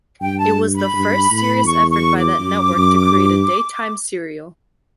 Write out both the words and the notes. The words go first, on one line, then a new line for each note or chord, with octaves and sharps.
It was the first serious effort by that network to create a daytime serial.
G2 G5
A5
B5
G2
A2
E2 C#6
C#6
D6
F#2
F#2
G2